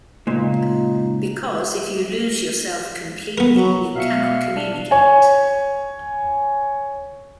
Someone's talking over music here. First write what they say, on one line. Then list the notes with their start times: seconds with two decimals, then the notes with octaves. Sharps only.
Because if you lose yourself completely, you cannot communicate.
0.27 C#2 A#2 D#4 F4
3.38 B3 A#4
3.53 F#3
3.96 B2 E5 F5 C#7
4.56 D4
4.91 C#5 G#5